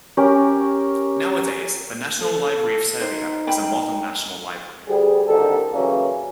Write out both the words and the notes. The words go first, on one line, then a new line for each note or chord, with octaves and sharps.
Nowadays, the National Library of Serbia is a modern national library.
C#4 G4 A#4
A4
D#4 C5
G5 B5
D2 G3 G#4
C2 D3 D#3 G4 A4 A#4
C#3 E3 F#3 G3 A#3 C#4